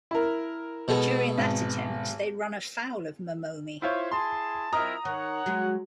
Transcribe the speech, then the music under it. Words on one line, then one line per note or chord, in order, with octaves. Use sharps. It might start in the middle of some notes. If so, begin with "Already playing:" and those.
But during that attempt they run afoul of Momomi.
E4 A#4
B2 G#3 A4
G#1
E4 F4 C5 C#5
E4 G#4 A5 C6
C4 E4 F4 A#4 D#5 A#5 D#6
D#3 C#5 F#5
F#3 G#3 F#4